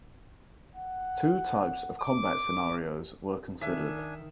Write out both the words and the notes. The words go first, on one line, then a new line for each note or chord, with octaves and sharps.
Two types of combat scenarios were considered.
F#5
D6
D#3 D4 E5 G#5